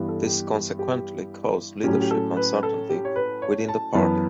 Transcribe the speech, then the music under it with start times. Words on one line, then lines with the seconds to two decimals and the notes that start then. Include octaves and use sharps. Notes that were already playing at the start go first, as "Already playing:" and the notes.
This consequently caused leadership uncertainty within the party.
Already playing: G2 E3 G3 B3
0.09 A4
0.26 G4
0.79 G4
1.84 A2 F#3 C#4 G4
2.02 G4
2.11 A4
2.36 B4
2.63 A4
2.89 G4
3.05 C#5
3.16 B4
3.42 C#5
3.68 A5
3.95 F#2 E3 B3 A5